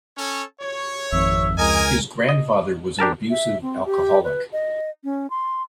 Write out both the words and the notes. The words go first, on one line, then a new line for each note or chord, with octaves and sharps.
His grandfather was an abusive alcoholic.
C#4 A4 C#5
C#5
G#1 F2 E5
C#2 A#4 D#5 G#5
D#5
D4 G4 A#4 A5
E5
C4
G4
B4
D#5
C#4
C6